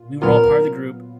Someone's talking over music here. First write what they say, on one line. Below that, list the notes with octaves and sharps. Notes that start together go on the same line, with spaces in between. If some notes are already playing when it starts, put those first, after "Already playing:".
we were all part of the group,
Already playing: A#2 F4
A#2 F#3 B3 F4 A#4